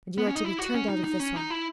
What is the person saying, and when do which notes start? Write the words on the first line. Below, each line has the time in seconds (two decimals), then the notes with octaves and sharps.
"And you are to be turned out of this one."
0.18 B3
0.27 C#4
0.35 D#4
0.44 E4
0.59 F#4
0.74 C#4
0.89 D#4
1.04 D#4
1.20 C#4
1.36 D#4
1.51 E4